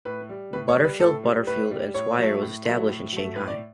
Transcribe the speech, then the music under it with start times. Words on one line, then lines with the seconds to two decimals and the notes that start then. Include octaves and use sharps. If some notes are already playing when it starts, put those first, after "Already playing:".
Butterfield, Butterfield and Swire was established in Shanghai.
0.05 A2 B4
0.29 G3
0.53 A2 B4
0.68 C#5
0.77 G3
0.84 B4
1.00 A2 A4
1.23 G3
1.47 A2 B4
1.70 G3
1.94 A2 C#5
2.18 F#3 A3
2.42 A2
2.65 F#3 A3
2.89 A2
3.12 F#3 A3
3.36 A2 B4
3.47 D5